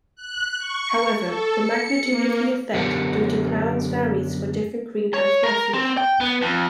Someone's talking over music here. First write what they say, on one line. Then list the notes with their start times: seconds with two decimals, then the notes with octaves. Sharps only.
However, the magnitude of the effect due to clouds varies for different greenhouse gases.
0.16 F#6
0.59 C#6
1.24 A4
1.61 C#7
2.09 A#3
2.74 F#2 D3 B3 G4 A#4 F#5
5.14 C#5
5.43 A#4
5.74 C4
5.97 G5
6.21 B3
6.42 F2